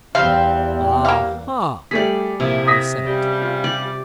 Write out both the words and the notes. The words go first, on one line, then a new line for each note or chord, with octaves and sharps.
"A-ha!" I said.
E2 E3 G3 C4 F5
A#3 F5
G3 A3 G#4 D5 B6
A#1 C3 A#3 E4
D#6 A#6 B6
C#3 G3
F4
G4 D5